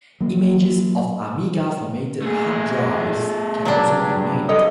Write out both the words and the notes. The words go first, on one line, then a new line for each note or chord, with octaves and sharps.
Images of Amiga formatted hard drives can also be made.
F#3 A#3
A3 A#3 G#4
A#2
G2 C#3 F#3 D4
G2 A4 D#5 D#6